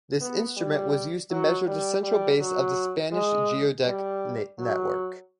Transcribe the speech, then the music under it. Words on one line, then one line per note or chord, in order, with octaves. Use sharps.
This instrument was used to measure the central base of the Spanish geodetic network.
B3
G3
F#3
G3
G3
F#3
G#3
G3
F#3